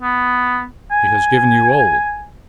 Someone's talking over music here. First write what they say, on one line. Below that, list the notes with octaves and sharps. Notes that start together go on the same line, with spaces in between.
She has given you all.
B3
G#5